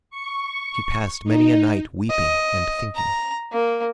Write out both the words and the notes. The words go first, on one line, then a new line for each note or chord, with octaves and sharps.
She passed many a night weeping and thinking.
C#6
D#4
D#5
A#5
A#3